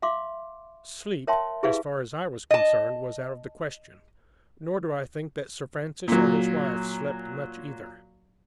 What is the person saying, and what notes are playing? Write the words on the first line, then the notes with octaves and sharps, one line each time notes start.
Sleep, as far as I was concerned, was out of the question, nor do I think that Sir Francis or his wife slept much either.
E5 F5 C6 D6
A#4 C#5 E5 G5 A5 C6
E4 G4 G#4 B4 E5 F5
D#5 A5
A#2 F#3